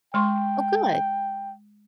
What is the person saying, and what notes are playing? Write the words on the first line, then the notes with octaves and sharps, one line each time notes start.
Oh, good.
G#3 G5 C6 C#6